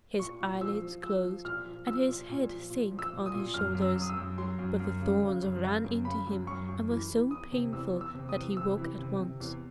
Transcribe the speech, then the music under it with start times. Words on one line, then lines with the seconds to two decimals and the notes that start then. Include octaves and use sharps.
His eyelids closed, and his head sank on his shoulders, but the thorns ran into him and were so painful that he awoke at once.
0.19 A#2 C#6
0.40 A#2
0.61 F3 E6
0.82 F3
1.03 F3 E6
1.24 F3
1.45 A#2 F6
1.66 F3
1.87 F3 E6
2.08 A#2
2.29 A#2
2.49 F3
2.70 A#2
2.91 F3
2.99 E6
3.13 A#2
3.26 D#6
3.34 A#2
3.54 F#2 F6
3.75 F#2
3.82 E6
3.96 F#2
4.02 D#6
4.09 E6
4.17 F#2
4.38 F#3 C6
4.59 F#2
4.80 F#2
5.01 C#3
5.22 C#3
5.42 F#2
5.63 C#3
5.84 F#2
6.05 C#3 B5
6.27 F#2
6.47 F#2 C#6
6.68 F#2
6.89 E3
7.10 E3
7.31 E2 D#6
7.52 C3
7.72 E2 E6
7.93 E2
8.01 E6
8.15 C3
8.29 D#6
8.36 E2
8.57 C3 E6
8.77 E3
8.99 C3
9.19 C3
9.40 E2